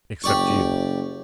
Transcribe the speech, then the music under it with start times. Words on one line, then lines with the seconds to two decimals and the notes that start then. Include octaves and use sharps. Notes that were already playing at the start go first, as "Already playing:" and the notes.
"Except you."
0.24 F#1 G4 D5 C#6